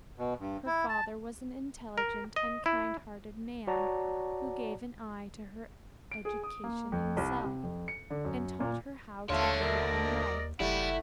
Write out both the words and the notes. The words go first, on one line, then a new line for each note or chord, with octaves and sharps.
Her father was an intelligent and kind-hearted man who gave an eye to her education himself, and taught her how to read and write.
B2
G2
E4
A5
A#4
D#5
E4
F#4 C#5 D5 A5 A#5
D7
G#4
D#6
A#3
F2
C2
C3
F2
C#7
D3
F#2
A#2
D#2 G#2 D3 A3 A4 C#5 F5 C6
D2 A#4 D5 D#5
F#1 G3 A3 E4 F#5